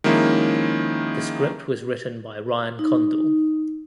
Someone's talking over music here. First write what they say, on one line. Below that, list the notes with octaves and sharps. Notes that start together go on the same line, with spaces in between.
The script was written by Ryan Condal.
D#3 F3 G#3 A#3 C#4 E4
D#4